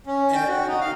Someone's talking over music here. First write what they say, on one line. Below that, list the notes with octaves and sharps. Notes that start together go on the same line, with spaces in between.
and wha
C#4
G5
F#4
D#4
F5